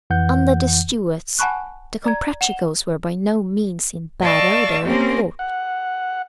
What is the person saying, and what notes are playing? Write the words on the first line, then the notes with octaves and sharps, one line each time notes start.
Under the Stuarts, the Comprachicos were by no means in bad odour at court.
F2 E3 F#5 G6
F#5 G#5 A5 B5 C#6 F#6
D5 A#5 G#6
F#5 E7 F7 G7
D5 D#5 F5 A5 C#6 E6
A#3 C4 C#4 G4 A#4
F#5